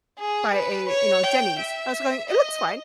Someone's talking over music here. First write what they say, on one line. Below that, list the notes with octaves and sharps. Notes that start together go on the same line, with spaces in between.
by a, you know, Denny's. I was going, "It looks fine."
G#4
B4
C#5
G5
E5
D#5